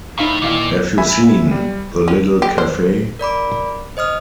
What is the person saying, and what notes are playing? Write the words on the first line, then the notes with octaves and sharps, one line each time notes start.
Have you seen "The Little Cafe"?..
A2 D#4 E4 F5 B5
D#2 A#2 E3 F5
E5 G#5 B5
G3
C#4
G4
C5
A#4 D5 B5 D6
C5 D#5 D#6 F6